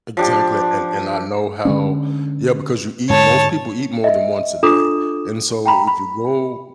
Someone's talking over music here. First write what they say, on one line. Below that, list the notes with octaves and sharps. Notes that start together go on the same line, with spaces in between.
Exactly, and and I know how yeah, because you eat most people eat more than once a day, and so, if you go
F3 D4 G4
D3 G#3 C#4
G#2 D3 C#5 A5
D#5 E5
D4 F4 A4 D6 D#6 E7
G5 A#5 B5
B5